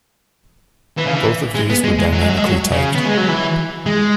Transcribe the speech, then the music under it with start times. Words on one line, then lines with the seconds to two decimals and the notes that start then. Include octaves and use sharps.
Both of these were dynamically typed.
0.97 E3
1.06 C#3
1.14 E3
1.55 G#3
1.70 B3
1.84 G#3
1.99 G#3
2.13 F#3
2.21 G#3
2.29 F#3
2.37 G#3
2.45 F#3
2.71 C#3
2.95 B3
3.05 G#3
3.17 F#3
3.29 E3
3.86 G#3